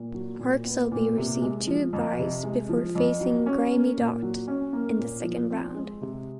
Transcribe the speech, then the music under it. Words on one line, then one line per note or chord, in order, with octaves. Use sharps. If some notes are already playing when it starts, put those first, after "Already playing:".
Mark Selby received two byes before facing Graeme Dott in the second round.
Already playing: A#2
F#3
A#2
B3
A#2
C3
G#3
F3
F2
C3
G#3
F3
F2
F#3
C#4
A#3
A#2
F#3
C#4
A#3
A#2
F3
C4
G#3
C3